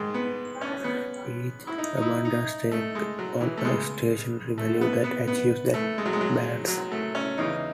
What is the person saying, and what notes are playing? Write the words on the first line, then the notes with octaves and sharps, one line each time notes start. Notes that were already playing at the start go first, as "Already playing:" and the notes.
Each abundance takes on a stationary value that achieves that balance.
Already playing: G#2 D#3 G#3
B3
C#4
B3
E4
D#4
D#4
E4
D#4
A3
G#3
F#3
E3
A3
C#2 B2 G#3
A3
B3
B3
B3
A3
G#3
F#3
G#3
F#3
F#3
A3
C#4
E2 C#3 E3 D#4